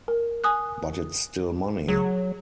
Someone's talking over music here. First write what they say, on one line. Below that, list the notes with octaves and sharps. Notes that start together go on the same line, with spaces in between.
But it's still money.
A#4
G#5 D#6 F#6
F#3 G#4